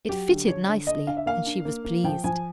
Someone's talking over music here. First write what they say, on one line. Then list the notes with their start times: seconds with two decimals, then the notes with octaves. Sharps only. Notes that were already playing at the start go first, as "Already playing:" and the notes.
It fitted nicely, and she was pleased.
0.09 F#3 G4
0.29 D3
0.48 D4 C#5
0.68 D3
0.87 D3 D#5
1.07 D4 F5
1.17 E5
1.26 A#3 F5
1.46 D4
1.65 A#3
1.85 A#3
2.04 F3 G5
2.24 F3 G#5